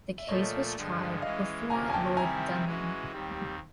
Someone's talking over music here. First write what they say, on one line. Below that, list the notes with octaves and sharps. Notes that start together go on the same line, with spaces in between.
The case was tried before Lord Denman.
E5
A#2 F3 A3 C#5 D#5
G2 D3 F3 G#3
E3 G#3 C#4 D#5 F5
D2 C3 F3 A#3 C#4 G#5 A#5
G#5
G5 A5
C3 D#3 G3 C4 E4 G#5 A#5
E3 G#3 C#4 F#4
D#2 D#3 G3 C4